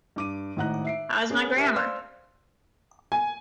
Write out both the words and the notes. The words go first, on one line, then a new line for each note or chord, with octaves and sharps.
How is my grammar?
G2 D6 D#7
G#1 A2 D#5 F#5 A#5 F#6
E5 C7 D7
C#4 G#4 A#4
G4 A#4 E5 A5
C5 D5 F5 C6 E6 F6
G#5